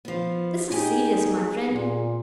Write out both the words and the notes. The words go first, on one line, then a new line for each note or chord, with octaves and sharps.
This is serious, my friend!
F3 B3
D#4 G4 G#4 G5
A#2